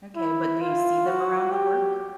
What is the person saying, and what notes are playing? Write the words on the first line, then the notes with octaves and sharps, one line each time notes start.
okay but do you see them around the work?
E4
F4
F#4
G4